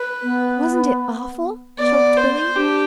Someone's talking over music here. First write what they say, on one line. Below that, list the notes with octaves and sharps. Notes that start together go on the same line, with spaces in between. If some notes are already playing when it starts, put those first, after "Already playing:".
"Wasn't it awful!" choked Billy.
Already playing: B4
B3
B3 D5
C5
D4 G4